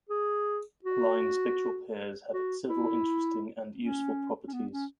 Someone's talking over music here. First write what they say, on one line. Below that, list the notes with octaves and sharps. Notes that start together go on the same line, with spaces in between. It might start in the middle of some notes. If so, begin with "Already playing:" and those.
Line spectral pairs have several interesting and useful properties.
G#4
F#4
F#4
E4
C#4
C#4
B3
C#4